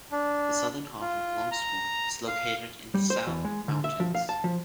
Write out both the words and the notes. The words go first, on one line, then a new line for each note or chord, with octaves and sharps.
The southern half of Longswamp is located in the South Mountains.
D4
F4
A#5
F5
G3
C5
E2
G#3
D3
E5
F3
F5
A5
F3